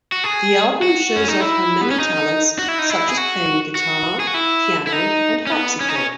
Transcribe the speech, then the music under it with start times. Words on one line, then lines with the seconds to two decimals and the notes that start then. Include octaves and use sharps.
The album shows off her many talents such as playing guitar, piano and harpsichord.
0.12 F#4
0.24 G#4
0.82 F#4
1.16 C#4
1.28 D#4
1.41 E4
1.81 B3
1.91 C#4
2.00 D#4
2.59 F#4
2.68 E4
2.79 D#4
2.90 E4
3.09 G#4
3.17 F#4
3.75 F#4
4.20 G#4
4.27 F#4
4.34 E4
4.87 E4
4.93 D#4
5.47 C#4
5.52 B3
5.80 C#4
5.88 D#4
5.96 C#4